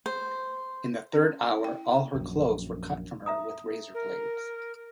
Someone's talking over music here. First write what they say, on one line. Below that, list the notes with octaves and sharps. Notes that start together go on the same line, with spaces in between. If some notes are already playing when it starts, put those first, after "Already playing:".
In the third hour all her clothes were cut from her with razor blades.
C5
C#4
E4
G5
A#1 F#2
E5 A#5 D#6
A#4